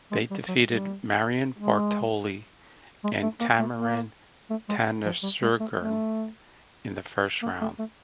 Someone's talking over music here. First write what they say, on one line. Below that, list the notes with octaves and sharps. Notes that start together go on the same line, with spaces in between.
They defeated Marion Bartoli and Tamarine Tanasugarn in the first round.
G#3
G3
F#3
G3
G#3
G#3
A3
A#3
A3
A#3
A3
G#3
F3
G3
G#3
A3
A3
A#3
A3
A3